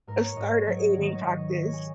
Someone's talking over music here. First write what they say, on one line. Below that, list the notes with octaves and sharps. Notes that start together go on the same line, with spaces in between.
a starter aiming practice.
G#2 A#4
C#5
G#2 D#5
D#5
F#3 C#5
D#5
C#5
D#3
D#5
C#5
G#2 D#5
C#5
D#3 D#5
C#5
G#4